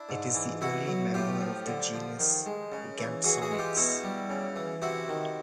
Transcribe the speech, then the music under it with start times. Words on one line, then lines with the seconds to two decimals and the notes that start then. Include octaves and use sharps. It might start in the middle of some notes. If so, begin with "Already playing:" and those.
It is the only member of the genus "Gampsonyx".
Already playing: D4 E4
0.09 G#2
0.35 E3
0.61 B2 E4 F#4
0.88 F#3
1.14 A2 F4 G4
1.40 F3
1.66 D3
1.93 F3
2.19 D#3
2.46 G#3
2.72 C#3
2.98 E3
3.24 E3 F#4 G#4
3.42 F#4 G#4
3.51 G#3
3.59 F4 G4
3.77 B2 E4 F#4
4.03 G3
4.29 C#3
4.56 E3
4.82 C3 E4 F#4
5.08 D#3